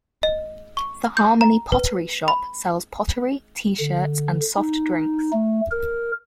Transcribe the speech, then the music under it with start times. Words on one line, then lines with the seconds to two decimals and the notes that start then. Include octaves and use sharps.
The Harmony Pottery Shop sells pottery, T-shirts, and soft drinks.
0.23 D#5
0.77 C#6
1.17 G6
1.41 A#5
1.72 B4
2.28 B5
3.80 D3
4.56 D#4
5.33 A3
5.71 A#4